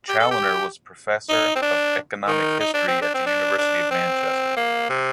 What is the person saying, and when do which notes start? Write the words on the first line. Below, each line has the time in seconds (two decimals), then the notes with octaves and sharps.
Chaloner was Professor of Economic History at the University of Manchester.
0.09 G4
0.20 A4
0.31 G4
1.29 D#4
1.56 C4
1.62 D4
2.28 D#3
2.60 D#4
2.74 D4
2.88 C4
3.02 D4
3.14 C4
3.26 D4
3.58 D4
3.91 C4
4.57 A#3
4.90 C3